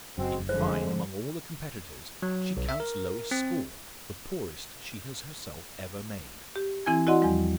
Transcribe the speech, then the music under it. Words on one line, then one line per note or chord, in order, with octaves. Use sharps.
In fine, among all the competitors, she counts lowest score--the poorest she has herself ever made.
F#1 F#2 G#3 C4 F#4
F2 D3 F3 G#3 A3 C5
F#3
B1
E5
A#4
C4
G4
E3 C4 E4 G#5 G#6
E4 F#4 D5 D#5 F#5 C6
E2 F3 G3